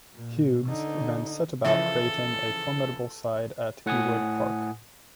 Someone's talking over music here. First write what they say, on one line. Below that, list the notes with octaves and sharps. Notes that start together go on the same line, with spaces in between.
Hughes then set about creating a formidable side at Ewood Park.
A#2
D3 D#4
C#3 E3 F3 A4 E5
A2 F#5 G#5 D#6